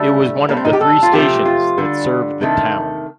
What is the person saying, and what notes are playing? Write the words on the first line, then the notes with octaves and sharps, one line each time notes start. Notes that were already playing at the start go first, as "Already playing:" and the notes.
It was one of three stations that served the town.
Already playing: D3 G3 A3
A2 G3 A#3
C4
D#4
G4
A4
F4
C3 F3 A3 G4
F4
D3 G3
C3 D#3 A3